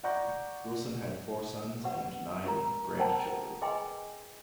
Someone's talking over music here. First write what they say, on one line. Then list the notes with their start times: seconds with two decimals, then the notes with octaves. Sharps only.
Wilson had four sons and nine grandchildren.
0.03 D5 F#5 A#5 C#6 G6 A#6
1.84 F#4 G4 B4 F#5
2.44 F#4 G4 A#4 A#5
2.98 A#4 C5 F#5 G5 A5 A#5
3.62 G#4 B4 D#5 G5 G#5 C6